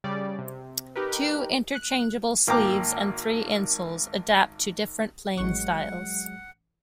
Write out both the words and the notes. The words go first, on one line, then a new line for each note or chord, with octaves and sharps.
Two interchangeable sleeves and three insoles adapt to different playing styles.
C#3 G3 D5
C3
D#4 G4 A#4 B4
F#6
G#1 A#3 G5 A#5 D6
A1 F#3 G#3 F#5 C#6